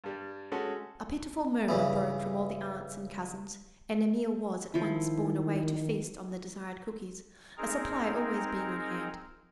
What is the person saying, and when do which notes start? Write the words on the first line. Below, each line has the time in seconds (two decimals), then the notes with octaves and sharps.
A pitiful murmur broke from all the aunts and cousins, and Emil was at once borne away to feast on the desired cookies, a supply always being on hand.
0.04 G2 G3
0.52 G#3 A3 C#4 F#4 A4
1.69 G2 C#3 E3
4.74 D#3 F3 E4
7.58 C4 D#4 G#4 A#4 A#5